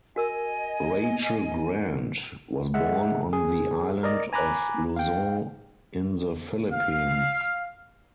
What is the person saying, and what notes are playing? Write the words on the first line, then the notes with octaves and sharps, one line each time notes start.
Rachel Grant was born on the island of Luzon in the Philippines.
F#4 A#4 D#5 G#5 E6
G#3 E5 F#5
G#4
A#4 D5 D#5 A#5
G#5 A#5 B5 D6 F#6
F5 G5
F5